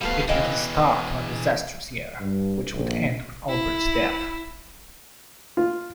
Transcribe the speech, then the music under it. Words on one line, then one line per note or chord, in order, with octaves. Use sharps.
It was the start to a disastrous year, which would end with Albert's death.
F3 G3 A3 B3 F5
B2 E3 D#5 F5 G5
G2
A#1
E4
F4